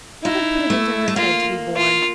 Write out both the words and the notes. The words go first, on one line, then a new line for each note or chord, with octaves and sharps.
What had put it into her head to be born?
D#4 E4
A3
A3
A#3 F4
F4